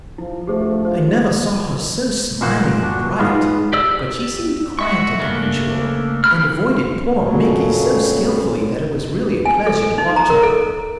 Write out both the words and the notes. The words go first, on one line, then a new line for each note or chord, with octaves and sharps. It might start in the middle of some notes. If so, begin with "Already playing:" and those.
I never saw her so smiling and bright; but she seemed quieter than usual, and avoided poor Micky so skilfully that it was really a pleasure to watch her.
F3 E4
D2 F3 A3 G4 G#4 C5
A2 F4 C5
A#2 A#4 C5 F#5
D4 F#4
G#2 B3 F4
G4 D5 E6
F#4 E5 C#6
C#3 A3 A#3 D4
C#3 G4 B5 F6
F2 A#2 C#3 F#3
G#5
A4
D#4
A#5
A#4
A4